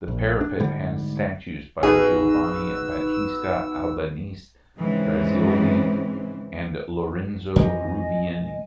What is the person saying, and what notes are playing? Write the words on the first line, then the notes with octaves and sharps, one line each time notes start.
The parapet has statues by Giovanni Battista Albanese, Grazioli and Lorenzo Rubini.
A#1
D4
G#2 D3 G3
A1 B3 D#4 F#4 G#4 F5 E6
G#2 C#3 E3 C4
F2 E3 F3 D#5 G#5